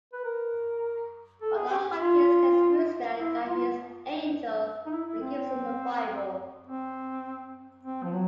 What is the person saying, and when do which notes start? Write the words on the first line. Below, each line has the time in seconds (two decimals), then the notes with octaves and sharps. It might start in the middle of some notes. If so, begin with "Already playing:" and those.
Mother Hopkins tells Rooster that he is an angel and gives him a bible.
0.13 B4
0.24 A#4
1.41 A4
1.55 G#4
1.70 G4
1.99 F4
3.16 E4
3.46 F4
4.86 D#4
4.92 E4
5.06 E4
5.21 C4
5.35 C4
6.67 C4
7.83 C4
8.03 F3
8.13 F#3